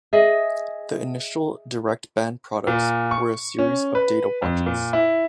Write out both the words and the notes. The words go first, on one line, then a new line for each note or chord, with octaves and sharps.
The initial DirectBand products were a series of data watches.
G#4 D#5 E5
A#2
C#6
C#4
B4
F2
A#2
E4